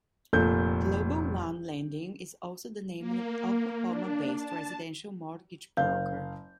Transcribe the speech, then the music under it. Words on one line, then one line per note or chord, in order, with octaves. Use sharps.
Global One Lending is also the name of an Oklahoma-based residential mortgage broker.
F1 A#2 A4 G6
A#3
D4
A5
F#1 F5 G6